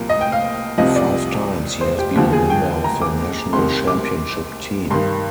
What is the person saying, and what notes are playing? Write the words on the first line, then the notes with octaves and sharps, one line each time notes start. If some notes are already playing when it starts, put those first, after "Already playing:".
Five times he has been a member of a national championship team.
Already playing: C2 A#2 F3 A#4
D#5
G5
F5
C2 C3 F3 D#5
D5
C5
G4
D#2 D3 F3 G4
G#4
G5
A#5
D6
C2 C3 D#3 C6
D6
G2 D#3 C6